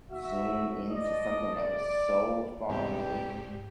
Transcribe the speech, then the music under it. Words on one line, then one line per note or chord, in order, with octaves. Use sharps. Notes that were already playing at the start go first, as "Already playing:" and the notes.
zoom into something that was so far away
F#4 E5
F3 D5 D#5
D5
E2 G#2 C3 G3 G4